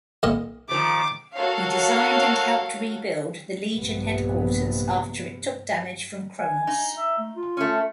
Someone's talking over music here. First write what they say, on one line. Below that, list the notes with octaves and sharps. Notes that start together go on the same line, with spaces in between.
He designed and helped rebuild the Legion Headquarters after it took damage from Chronos.
B1 A#2 D#5
D#3 F3 A3 D6
F#4 A4 A#4 C#5 F5
A#1 G2 C3 B3
G#5
D#4
E5
A3
F4
A3 C#4